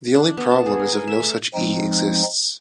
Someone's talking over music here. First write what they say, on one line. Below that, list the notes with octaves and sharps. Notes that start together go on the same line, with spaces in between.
The only problem is if no such "E" exists.
D4
B3
A5
G#4
A#4
G#5
E5
A3
F3 G#3 C4 D#4